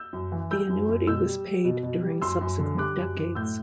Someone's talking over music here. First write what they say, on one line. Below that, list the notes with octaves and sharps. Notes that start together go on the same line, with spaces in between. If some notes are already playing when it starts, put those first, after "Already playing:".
The annuity was paid during subsequent decades.
Already playing: E6 G6
F#2
E3
G3 E6 G6
F#2
F#2
B2 E6 G6
G3
G3
B2
B2
G3
F#2 C6 E6
F#2
D3
G3 D6 F#6
F#2
F#2
A2 E6 G6